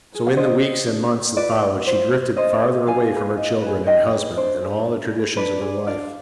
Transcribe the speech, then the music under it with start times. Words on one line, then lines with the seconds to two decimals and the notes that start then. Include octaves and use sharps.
So in the weeks and months that followed she drifted farther away from her children and husband and all the traditions of her life.
0.12 G#4 B4
0.27 F5
0.37 D4 C5 D#5
0.62 G4 B4
0.88 D4
1.12 G4 B4
1.37 F4 B4 D5
1.62 B4
1.87 F4 C5
2.12 B4
2.37 D4 C5 D#5
2.62 G#4 B4
2.87 D4 F5 G#5
3.12 G#4 B4
3.37 D#4
3.62 G#4 B4
3.86 D#4 D#5 G5
4.12 G#4 B4
4.37 D4 C5
4.62 G#4 B4
4.87 D4
5.12 G#4 B4
5.37 D4 B4 D5
5.61 G#4 B4
5.87 D4 D5 F5